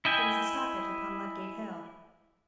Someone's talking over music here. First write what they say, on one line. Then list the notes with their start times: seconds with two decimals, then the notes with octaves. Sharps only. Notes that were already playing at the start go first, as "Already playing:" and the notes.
There was a stoppage upon Ludgate Hill.
0.05 E4 D#5 G5 G#5